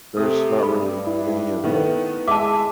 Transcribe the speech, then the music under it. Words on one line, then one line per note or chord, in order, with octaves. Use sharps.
There's not really any of that
C3 A3 D#6
G2 B5
E4
D#3 A3 B3
G#3 E5 A5 D6